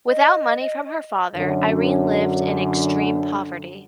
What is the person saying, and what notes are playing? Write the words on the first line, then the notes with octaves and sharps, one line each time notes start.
Without money from her father, Irene lived in extreme poverty.
D#5
F#2 D3